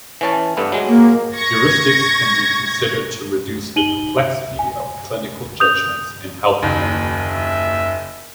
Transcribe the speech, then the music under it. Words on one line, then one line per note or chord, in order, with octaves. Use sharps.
Heuristics can be considered to reduce the complexity of clinical judgements in healthcare.
E3 C#4 A5
G2 A3 B3
F#3 G#3
A#3
C#6 G#6 A#6
D#4 D#7 F#7 G7
E5
G#5
D#6 G6 F7
F#1 D#2
E5